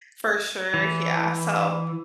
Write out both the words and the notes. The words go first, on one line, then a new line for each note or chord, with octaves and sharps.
For sure, yeah, so,
E3